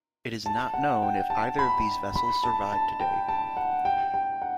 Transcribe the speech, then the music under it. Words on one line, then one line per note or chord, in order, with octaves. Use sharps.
It is not known if either of these vessels survive today.
A5
F#5
G5
A5
B5
B5
A5
A5
G5
A5
F#5
G5
G5
F#5